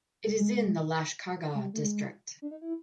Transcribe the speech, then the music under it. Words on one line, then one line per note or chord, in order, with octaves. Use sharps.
It is in the Lashkargah District.
G#3
G#3
G3
A3
G#3
D4
D#4
E4